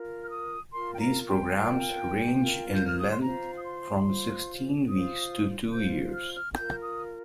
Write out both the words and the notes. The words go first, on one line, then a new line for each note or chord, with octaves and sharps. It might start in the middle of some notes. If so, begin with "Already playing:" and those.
These programs range in length from sixteen weeks to two years.
Already playing: F4 A#4
F6
D#6
F4 A#4 C6
G5
A#5
G5
F4 A#4
F4 A#4
G6
F6
D#6
C6
F4 C5 A#5
D#6
C6
F4 C5
F4 C5 D#6
F4 C5 G6
F6
F6
F4 A#4 G6
D#6